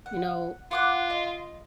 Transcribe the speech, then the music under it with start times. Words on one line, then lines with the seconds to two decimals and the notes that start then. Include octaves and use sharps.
you know
0.06 F#5
0.71 F4 F#5 D6 F#6
1.10 D#5